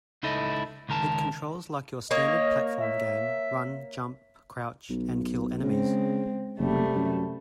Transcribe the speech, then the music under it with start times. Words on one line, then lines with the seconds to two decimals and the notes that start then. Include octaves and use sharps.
It controls like your standard platform game: run, jump, crouch, and kill enemies.
0.23 C#2 D#4 E4 A4 D#5
0.89 C#2 D#3 A#4 A5
2.11 A#3 C#5 D#5
2.80 E5
4.90 B1
5.63 C#3 G#3 C4
6.59 F#1 C3 G3 A3
6.96 F#2